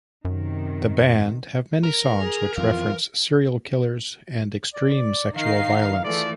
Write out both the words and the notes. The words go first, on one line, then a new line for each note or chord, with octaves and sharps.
The band have many songs which reference serial killers and extreme sexual violence.
F#2 C3 D#3
A#4
G#4
F2 E3 F4
D5
D#3 D#4 F5 C7
E3 A3 F4 G#4 D5